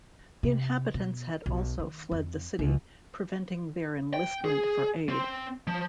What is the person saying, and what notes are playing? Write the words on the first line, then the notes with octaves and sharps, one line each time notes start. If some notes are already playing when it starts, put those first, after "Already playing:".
The inhabitants had also fled the city, preventing their enlistment for aid.
C3
B2
B1
D#3
F2
C#2
G5
G#4
C4
F3